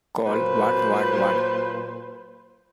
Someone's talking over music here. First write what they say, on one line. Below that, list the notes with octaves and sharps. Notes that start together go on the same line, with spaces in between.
Call one one one.
A#2 F#3 B4 C5